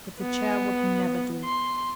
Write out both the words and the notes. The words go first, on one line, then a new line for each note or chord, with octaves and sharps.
But the chair would never do.
B3
C6